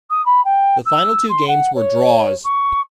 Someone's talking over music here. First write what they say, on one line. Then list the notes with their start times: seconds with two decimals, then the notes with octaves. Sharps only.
The final two games were draws.
0.10 D#6
0.26 B5
0.45 G5
0.85 E6
1.29 C6
1.48 F#5
1.75 C#5
2.44 C#6